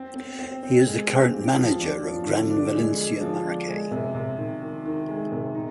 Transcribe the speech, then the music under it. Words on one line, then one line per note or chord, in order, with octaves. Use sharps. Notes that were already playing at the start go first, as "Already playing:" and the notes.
He is the current manager of Gran Valencia Maracay.
Already playing: C4
C4
C4
C4
G#3
C4
G4
F3
D4
F3
D3
D4
G#3
G#3
F3
D4
G#3
C3
C3
D#3
D#3
D#3
G#3
C3
D#4